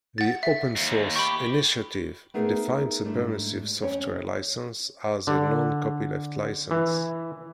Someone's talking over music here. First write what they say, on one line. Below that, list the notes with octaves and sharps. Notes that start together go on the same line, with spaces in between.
The Open Source Initiative defines a permissive software license as a "non-copyleft license".
F#5 A6
E5
D#2
G4 B5 C#6
A3 B3 D#4 G#4 A#4
G#2 G3 A3 D4 E4
F2 C#4 C#5 G5
D3
E3